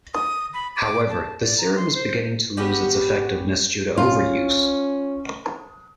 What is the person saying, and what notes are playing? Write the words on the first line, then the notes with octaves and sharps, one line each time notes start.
However, the serum is beginning to lose its effectiveness due to overuse.
D#6
B5
D6
A5
D5
A#5
C6
C5
B3 C#4 F#4 G4
C#4 F4